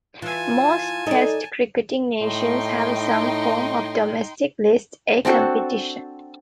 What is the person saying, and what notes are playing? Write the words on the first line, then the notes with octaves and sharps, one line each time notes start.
Most Test cricketing nations have some form of domestic List A competition.
E3 F4 G#5 A5
D#4 A4 D5
A2 D#4 G5 C6
C4 D4 F#4 A4